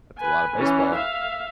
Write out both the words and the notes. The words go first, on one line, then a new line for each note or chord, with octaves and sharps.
That's a lotta baseball.
B4 G#5
E3 C#4
E5 F5